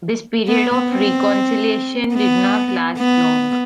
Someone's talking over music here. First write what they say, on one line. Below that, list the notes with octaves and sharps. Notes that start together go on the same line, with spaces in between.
This period of reconciliation did not last long.
B3
C4
B3
B3